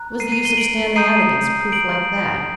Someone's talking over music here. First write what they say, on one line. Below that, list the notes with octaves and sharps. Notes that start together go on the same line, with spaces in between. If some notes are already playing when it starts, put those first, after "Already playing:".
What was the use of standing out against proof like that.
Already playing: A#5 F#6
C7 D#7
C7 D#7
D#7 G7
D7 F#7
A#5 D#6 G6 C7 D#7
D7 F#7